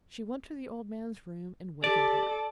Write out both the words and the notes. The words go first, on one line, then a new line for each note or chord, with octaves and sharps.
She went to the old man's room and wakened him.
G4 A4 D5